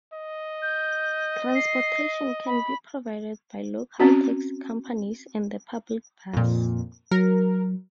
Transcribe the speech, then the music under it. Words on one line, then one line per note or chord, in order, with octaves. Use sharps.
Transportation can be provided by local taxi companies and the public bus.
D#5
G6
C7
B5
C4 C#4 F#4
F2 A#2
F#3 A#4